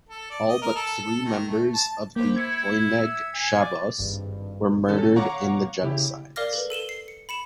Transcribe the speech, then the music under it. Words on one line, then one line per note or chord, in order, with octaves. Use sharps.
All but three members of the Oyneg Shabbos were murdered in the genocides.
A4
D5
D#5
A#4
A4
A4
D#3
A3
A5
A#3 G4 C5
E4 G#6 C#7
E5
G#5
D5
G#1 G2
D#3 C#4 A4
C#5 F5 F#5 A#5 C#6 D6
C#3 E4 G4
A#4 D5 F5 D6 F6 A#6
A4 B4
A4 D#7 E7 G7
C7
C#7
B5 C#7 E7